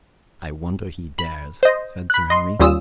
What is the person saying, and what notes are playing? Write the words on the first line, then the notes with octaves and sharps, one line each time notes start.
"I wonder he dares," said Sir Henry.
B5
C5 D#5
B5 F#6
D#5 C6
D#2 G3 C#4 F4 D#6 E6